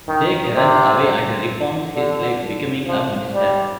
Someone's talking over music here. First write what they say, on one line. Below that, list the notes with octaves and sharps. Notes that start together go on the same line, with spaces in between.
Zeke runs away and reforms his life, becoming a minister.
D#3
C3
D3
F3
G3